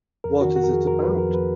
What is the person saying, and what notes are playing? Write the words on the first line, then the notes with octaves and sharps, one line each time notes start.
What is it about?
F2 A#4
D#3 F#4
F#4
F2 A#4
G#4
F2 A#4
F2 B4
A#4
F2
B4